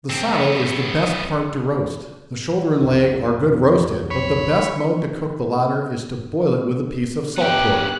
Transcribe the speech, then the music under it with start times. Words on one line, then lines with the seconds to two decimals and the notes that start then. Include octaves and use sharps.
The saddle is the best part to roast--the shoulder and leg are good roasted; but the best mode to cook the latter, is to boil it with a piece of salt pork.
0.09 F#2 C4
0.31 F#2 B3
2.81 B1 F2 F#3
4.10 C#5 B5
7.38 B3 G4 F#6